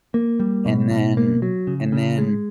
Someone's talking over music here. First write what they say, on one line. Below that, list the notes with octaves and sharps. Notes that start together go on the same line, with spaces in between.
and then and then
A#3
G3
B2
B2
A#3
F#3
C#3
C#3
G#3